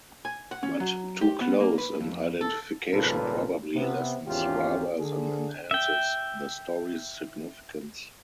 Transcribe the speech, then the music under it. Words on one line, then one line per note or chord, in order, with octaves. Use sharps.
But too close an identification probably lessens rather than enhances the story's significance.
G#5
F#5
C#4
F#3
G4
B3
A#3
B4
F2
A4
G#1 A#2 C#3 G3 A4 B4
C3 B3
G#1 E2 C#4 F4 G4
D3 G#4
E5 G5